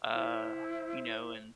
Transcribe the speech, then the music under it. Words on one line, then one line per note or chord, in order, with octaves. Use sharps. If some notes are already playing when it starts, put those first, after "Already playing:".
uh, you know and
E4 C5